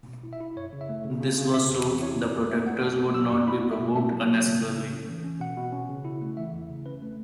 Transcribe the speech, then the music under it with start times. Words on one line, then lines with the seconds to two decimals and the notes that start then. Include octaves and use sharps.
This was so the protectors would not be provoked unnecessarily.
0.08 B2
0.23 E4
0.33 E5
0.41 E4
0.56 F#2 C#5
0.73 C#3
0.81 E5
0.89 A3
1.05 C#3
1.21 C#3
1.38 C#3
1.53 B2 E5
1.70 E2
1.85 E2
2.01 E4 C#5
2.18 F#2 B4
2.25 C#5
2.34 F#2
2.50 A3 E5
2.66 A3 F#5
2.83 A3 A5
2.99 B3
3.14 F#3 E6
3.31 F#2 C#6
3.47 E4 B5
3.64 B3
3.71 E5
3.79 B2
3.96 E4 E5
4.12 F#3
4.19 C#5
4.28 A2
4.43 C#3
4.59 C#3
4.76 C#3
4.92 C#4
5.09 E3
5.24 C#4
5.40 B2 F#5
5.57 B2
5.72 C#4
5.89 C#3
6.05 E4
6.22 A3
6.37 E3 E5
6.53 E2
6.70 C#3
6.86 C#4 B4
7.02 A3